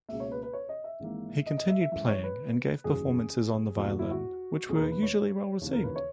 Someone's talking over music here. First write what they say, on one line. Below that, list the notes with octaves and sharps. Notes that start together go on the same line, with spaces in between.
He continued playing and gave performances on the violin, which were usually well received.
C#2 B2 A#3 E5
C#5
B4
B4
C#5
D#5
E5
G#1 G#2 E3 A#3
D#5
D#5
E5
E5
F#2 E3 G#3 E5
C#5
B4
F#1 E2 D#3 F#3 G#4
E2 B2 A#3 F#4
F#4
E4
F#4
E1 D#2 D#3 A#3 G#4
A#4
B4
B4
C#5
E1 D#2 C#3 E3
A#4
B4
C#5